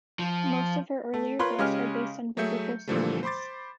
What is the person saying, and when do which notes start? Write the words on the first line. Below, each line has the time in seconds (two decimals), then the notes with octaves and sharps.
Most of her earlier books are based on biblical stories.
0.19 F3
1.14 A3
1.39 F4 A#4 B4 C#5 B5 C6
1.58 C#3 G#3 C#4 G4 G#5 F6
2.37 F#3 A3 G#4 E5 G6 C#7
2.88 A#2 D3 E3 F3 G3 A3
3.23 C5 B5 C6 D6 A6